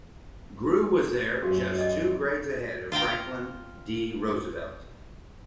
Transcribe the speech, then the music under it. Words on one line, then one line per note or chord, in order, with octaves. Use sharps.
Grew was there just two grades ahead of Franklin D. Roosevelt.
F#2 F#4 G4 F5
A4 D5 D#5
F4 F5 G5 A#5